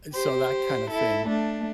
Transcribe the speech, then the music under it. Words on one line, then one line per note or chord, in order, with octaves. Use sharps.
uh, so, that kind of thing,
G4 C5
E4 A4
A3 D4